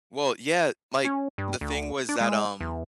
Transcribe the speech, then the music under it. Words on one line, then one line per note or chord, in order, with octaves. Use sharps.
Well, yeah, like, the thing was that, um
C#4
G2
D2
D4
G#3
E2